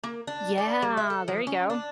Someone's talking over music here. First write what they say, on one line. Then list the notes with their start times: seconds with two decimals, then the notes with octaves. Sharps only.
Yeah, there you go.
0.04 A#3
0.27 D4
0.58 D5
0.82 G3
0.97 E5
1.10 A4
1.28 F3
1.47 C#4
1.70 D4